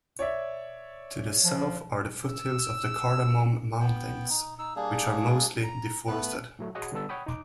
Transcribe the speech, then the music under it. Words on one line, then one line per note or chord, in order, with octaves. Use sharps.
To the south are the foothills of the Cardamom Mountains, which are mostly deforested.
C#5 D5 E5
F3
E6
B3 G5
D#4
D#4 E6
G3 A#3 D4 G#4
A#5
A3 B3 B4
A2 F#3 A3
F#4 G#4 C#5 D#5 F#5 G#5
D3 G3 B3 A4 E6
C#5 F#5 G5 B5 D#6
D#4 D6